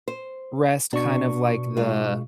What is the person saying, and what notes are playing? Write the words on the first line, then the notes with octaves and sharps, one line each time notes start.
rest, kind of like, the
C5
B2 D4 C#6
G#3 F4